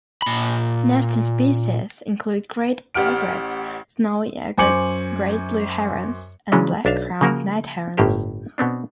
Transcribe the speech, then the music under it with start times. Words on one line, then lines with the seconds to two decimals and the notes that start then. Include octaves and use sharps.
Nesting species include great egrets, snowy egrets, great blue herons, and black-crowned night herons.
0.22 A#2 B5
2.94 A1 G4 F#5 F6 D7
4.58 F#2 C5 G#5 D6 C#7 F#7
6.52 C#3 E3 F#3 G#3 C#4 D4
6.85 B1 D4 E5 F5
7.21 C#3 F3 A#3 F#4 A#4
7.97 G1 A2 A#3 G4 C5
8.58 B2 B3 C4 D4